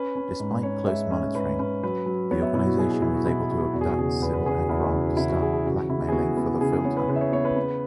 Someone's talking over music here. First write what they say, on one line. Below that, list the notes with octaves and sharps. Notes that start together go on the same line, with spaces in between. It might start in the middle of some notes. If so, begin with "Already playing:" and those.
Despite close monitoring, the organization was able to abduct Sybille Akron to start blackmailing for the filter.
Already playing: C#4 B4
C#4
G#2
C#4 C#5
G#3 E5
C#4 C#5
G#2 B4
C#4 B4
F#3 B4
F#3
B3 C#5
E5
B2 E4
F#4
B2 G#4
G#4
B2 E4
F#4
B2 E4
B2 F#4
E2 F#4
G#4
F#4
C#3 G#4
E2 B4
B4
C#3 G#4
F#4
E2 E4
C#3 F#4
C#3 E4
F#4
E3 G#4
G#4
C#3 F#4
C#3 E4
G#4
B3 F#4
B3
C#3 G#4
G#4
B3 C#5
B4
C#3 B4
E5
C#5
B3 C#5
B4
B3